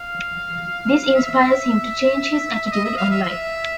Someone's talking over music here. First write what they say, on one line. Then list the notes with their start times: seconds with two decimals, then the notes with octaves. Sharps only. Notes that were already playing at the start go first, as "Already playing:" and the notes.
This inspires him to change his attitude on life.
Already playing: F5
1.06 F5
1.15 E5
2.67 E5
2.72 D#5
2.85 E5
2.97 F5
3.11 E5
3.23 E5